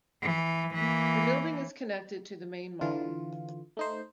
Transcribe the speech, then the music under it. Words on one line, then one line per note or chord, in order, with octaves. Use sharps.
The building is connected to the main mall.
E3
E3 A#3
D3 E3 F4
A3 D#4 C5